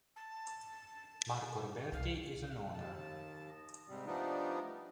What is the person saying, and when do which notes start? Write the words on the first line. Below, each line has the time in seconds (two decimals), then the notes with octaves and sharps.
Marco Roberti is an owner.
0.15 A5
1.92 C2 F5
2.74 D#2 A5
3.88 G#2 C3 G3
4.06 F3 G3 A3 B3 D4 D#4